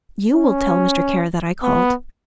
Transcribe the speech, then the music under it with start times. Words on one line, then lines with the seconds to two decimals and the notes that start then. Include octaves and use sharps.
You will tell Mr. Kara that I called.
0.32 C#4
1.63 B3